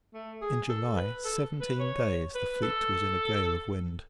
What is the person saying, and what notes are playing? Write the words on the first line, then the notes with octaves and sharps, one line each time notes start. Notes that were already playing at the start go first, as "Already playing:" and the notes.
In July, seventeen days the fleet was in a gale of wind.
A3
G#4
A4
B4
A4
B4
C#5
B4
A4